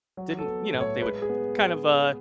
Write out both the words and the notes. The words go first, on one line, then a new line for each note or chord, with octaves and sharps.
didn't, you know, they would kind of, uh,
F#3
A4
B3
A2
C#5
G#3 B4
G#4
B3